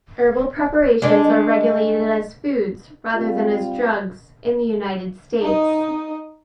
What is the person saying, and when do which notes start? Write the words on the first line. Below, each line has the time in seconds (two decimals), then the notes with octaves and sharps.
Herbal preparations are regulated as foods, rather than as drugs, in the United States.
1.02 G#3 D4
3.15 G3 C4 F4
5.40 D#4 D#5